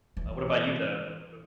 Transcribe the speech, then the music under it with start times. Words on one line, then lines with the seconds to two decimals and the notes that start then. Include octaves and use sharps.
Uh, what about you though? What what, uh
0.17 E3